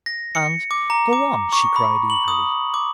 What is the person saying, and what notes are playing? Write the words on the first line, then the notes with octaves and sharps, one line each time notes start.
And--'Go on,' she cried eagerly.
A#6
C#7
D6
A#5
D6
C#6
B5
F#7
D#6
D6